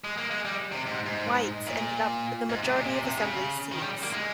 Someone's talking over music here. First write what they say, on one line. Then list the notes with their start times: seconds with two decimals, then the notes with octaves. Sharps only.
Whites ended up with the majority of Assembly seats.
0.04 G#3
0.18 A#3
0.31 G#3
0.45 G3
0.72 C3
0.86 G#2
1.06 G#2
1.67 A#2
2.50 G#2
2.63 C3
2.76 A#2
2.90 C3
3.04 C3
3.18 C#3
3.72 D#3
3.82 G3
4.03 A#3
4.13 G#3